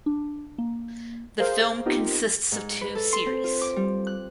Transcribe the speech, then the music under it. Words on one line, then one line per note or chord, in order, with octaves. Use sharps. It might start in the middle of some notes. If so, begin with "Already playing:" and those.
The film consists of two series.
D4
A#3
G#4 A#4 C5 F5
B3 C4 D#4 F4 G4 A#4
G#2
B4
A4
C6
C4
F4
D6
G3
F#6